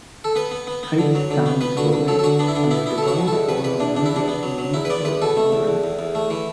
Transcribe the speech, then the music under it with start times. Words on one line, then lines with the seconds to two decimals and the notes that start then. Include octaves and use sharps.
Hightstown is governed under the Borough form of New Jersey municipal government.
0.24 A4
0.36 B3 B4
0.51 B3
0.67 B3
0.83 B3
0.99 D3
1.15 F#3
1.31 D3
1.46 B3
1.61 B3 B4
1.77 D3 F#4
1.93 D3
2.08 F#3 A4
2.19 A4
2.24 D3 F#4
2.39 B3 D4
2.48 E4
2.55 D3 D4
2.71 B3 E4
2.86 B3 E4
2.98 F#3 A4
3.08 F#4
3.18 B2
3.28 A4
3.33 E2
3.49 B2 B4
3.64 E2 B4
3.80 E2 D4
3.95 E2 D4
4.06 E4
4.11 E2 D4
4.28 B3
4.43 F#3
4.58 F#3
4.74 E2 E4
4.85 B4
4.90 B3 D5
5.05 E2 B4
5.22 B2 A4
5.37 A3
5.52 E2
5.67 E2
5.84 E2
5.99 E2
6.15 A3
6.30 E3